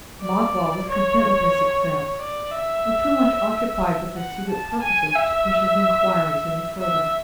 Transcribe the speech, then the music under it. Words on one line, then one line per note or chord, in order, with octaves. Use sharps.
Magua was content with his success, or too much occupied with his secret purposes to push his inquiries any further.
D5
C#5
D5
E5
F#5
A5
G#5
E5
E5